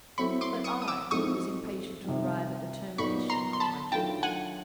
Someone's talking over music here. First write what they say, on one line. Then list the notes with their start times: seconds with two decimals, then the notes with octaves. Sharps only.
But I was impatient to arrive at the termination of my journey.
0.18 F#3 A3 C4 E4 B5 C#6
0.41 C6 D6
0.64 C#6 D#6
0.82 D#6
0.88 D6 E6
1.11 A2 F3 G#3 C4 D#4 C#6 D#6
2.04 C3 D#3 G3
2.98 A#2 F#3 B3 D#4 B5 C#6
3.30 A#5 C6
3.53 C6
3.60 A5 B5
3.92 D#3 F#3 A3 D4 F4 G5 A5
4.23 F#5 G#5